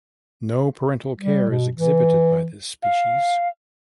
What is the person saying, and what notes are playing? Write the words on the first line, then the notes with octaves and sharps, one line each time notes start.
No parental care is exhibited by this species.
G3
B2
E3
F5